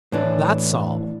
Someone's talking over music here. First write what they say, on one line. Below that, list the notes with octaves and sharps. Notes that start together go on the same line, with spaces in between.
That's all.
A2 E3 D4